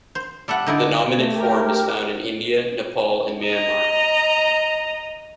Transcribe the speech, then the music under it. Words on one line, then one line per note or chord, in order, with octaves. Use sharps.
The nominate form is found in India, Nepal and Myanmar.
C5
G3 A4 E5 F#5
D3 D#4 E4 D5
A3
G4 A#4
D#5 A#5